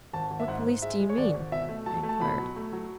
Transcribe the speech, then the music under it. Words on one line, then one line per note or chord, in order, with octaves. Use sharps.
"What police do you mean?" I inquired.
G#1 A5
G#1
E5
G#2 F#5
G#2
G#3 E5
G#3
C#5
G#1 D5
G#1
B2 E5
A3
F#3 A5
A3
A5
B2 B5
F#3
A3
F#3